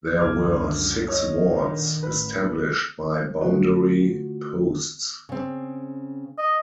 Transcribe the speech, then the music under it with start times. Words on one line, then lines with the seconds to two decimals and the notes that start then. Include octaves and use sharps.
There were six wards established by boundary posts.
0.19 C#2 F#2 D3 D6 F6 G#6
1.08 C#5 D#5
1.47 A#2 D3 D#3
2.03 A1 B4
3.41 D3 A3 F4 F#4
5.29 C#3 C4
6.38 D#5